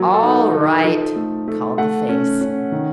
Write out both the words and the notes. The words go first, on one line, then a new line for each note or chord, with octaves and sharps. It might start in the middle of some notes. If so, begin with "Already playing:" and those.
"All right," called the face.
Already playing: F#3 A#3
A4
D#4
D#4 A#4
A4
F3 A4
A3
A3
A3 F#5
C#4
C#4
D#3